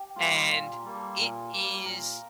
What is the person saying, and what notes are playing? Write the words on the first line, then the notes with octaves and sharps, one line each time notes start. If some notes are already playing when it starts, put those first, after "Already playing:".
and it is
Already playing: G4
G3 A#3 F4
A#2 F4
A#4
G3 A#3
A4
A#2 A#4
G3 A#3
A#2 A#4